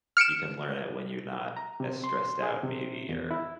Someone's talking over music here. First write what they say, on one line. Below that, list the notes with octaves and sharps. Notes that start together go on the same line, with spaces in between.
you can learn it when you're not as stressed out maybe or
F6 C#7 D7 E7
A#5
C3
C6
G#4
C3
E2
E4